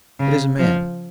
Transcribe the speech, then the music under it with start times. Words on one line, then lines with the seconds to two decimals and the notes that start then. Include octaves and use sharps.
It is a man.
0.19 C#3
0.58 F3